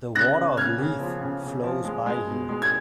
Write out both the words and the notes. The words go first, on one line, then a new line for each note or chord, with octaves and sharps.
The Water of Leith flows by here.
C#3 F#6 A#6
C#3
C#3 F6 G#6
C#3
F3
C#3
C#3
F3
G#3
G#3
B2
G#3
G#6